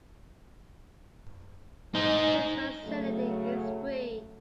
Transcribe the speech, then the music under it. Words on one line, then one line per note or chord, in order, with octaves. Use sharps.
This facility is free.
D#4 C5
C#3 F#3 A3